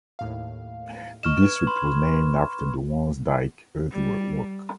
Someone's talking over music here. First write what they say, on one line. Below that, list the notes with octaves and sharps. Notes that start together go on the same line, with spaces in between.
The district was named after the Wansdyke earthwork.
D#2 A2 F5
D#5 C#6 F6 E7
B4 G#6
B5 C6
G3